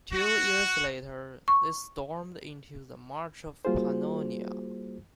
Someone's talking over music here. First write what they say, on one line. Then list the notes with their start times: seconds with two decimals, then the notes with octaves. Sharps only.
Two years later, they stormed into the March of Pannonia.
0.11 F#4
1.48 C#6
3.65 G3 A#3 F4 F#4 G#4 C5